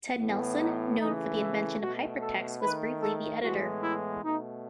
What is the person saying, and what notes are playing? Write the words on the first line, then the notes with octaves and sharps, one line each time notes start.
Ted Nelson, known for the invention of hypertext, was briefly the editor.
A2 E3 B3
D#4
C#3 E3 A3 D#4
E4
B2 A3 F#4
A4
D#3 A3 B4
A4
A2 E3 G#3 B3 F#4
E4
B2 A3 D#4